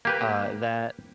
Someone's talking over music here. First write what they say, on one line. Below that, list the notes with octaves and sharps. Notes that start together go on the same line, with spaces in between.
Uh, that
A#3 G4 B4